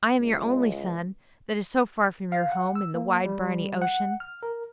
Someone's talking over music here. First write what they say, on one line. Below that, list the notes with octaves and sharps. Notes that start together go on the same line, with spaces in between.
I am your only son, that is so far from your home, in the wide briny ocean.
C#2
F5
F#5
E6
A#3
G3
F#5
F6
A#4